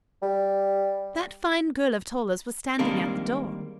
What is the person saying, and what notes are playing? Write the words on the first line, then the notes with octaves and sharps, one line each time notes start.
That fine girl of Toller's was standing at the door.
G3
D#3 G3 G#3 A#3 C4 D4